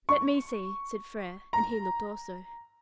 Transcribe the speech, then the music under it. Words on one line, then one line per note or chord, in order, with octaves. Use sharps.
"Let me see," said Frere; and he looked also.
C#6
A#5